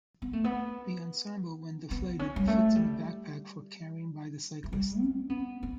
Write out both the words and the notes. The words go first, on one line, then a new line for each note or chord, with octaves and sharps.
The ensemble, when deflated, fits in a backpack for carrying by the cyclist.
B3
A3
B3
B3
C#4
G3
A3
G3
A3
G3
C#4
B3
B3